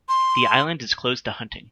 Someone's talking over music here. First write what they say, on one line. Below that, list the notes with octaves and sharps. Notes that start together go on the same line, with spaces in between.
The island is closed to hunting.
C6